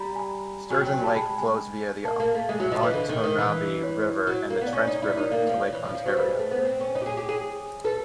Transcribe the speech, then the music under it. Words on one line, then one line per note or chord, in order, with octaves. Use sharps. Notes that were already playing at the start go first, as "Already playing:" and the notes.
Sturgeon Lake flows via the Otonabee River and the Trent River to Lake Ontario.
Already playing: G3 A#5 B5
G#5
F#3 G#5
F#3 G5
G#5
G3 A5
G#3 B5
G#5
A#3 A5
A#3
A3
G#3 E5
F#3
F3 D#5
E3
D3
D#3
D#3
E3
C#5
F#3
A#3
B3
D5
C#4 C#5
D#4
D5
E4
C#5
D#4 D5
A#3
F3
C#5
E3
F3
F3
F#3 C5
G3 B4
G#3
A3
B3 C5
C4
C#4
D#4 C#5
G4
G#4
G4
G#4
A4 B4